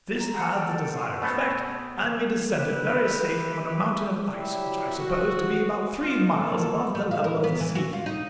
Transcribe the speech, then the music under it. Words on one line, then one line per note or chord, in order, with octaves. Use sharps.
This had the desired effect, and we descended very safe on a mountain of ice, which I supposed to be about three miles above the level of the sea.
A#5
F#5
A4 F#5 G5
C6 C#6
B2 A3 B3 C4 A4
E4 G4 B4
F#3 E4 G4 D5 E5
F#4
F4
A#3 A4
A3
F5
A#4
B3
E3
F#4
F4
D#4